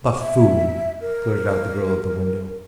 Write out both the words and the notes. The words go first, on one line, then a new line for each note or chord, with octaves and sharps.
"Buffoon!" blurted out the girl at the window.
E5
A#4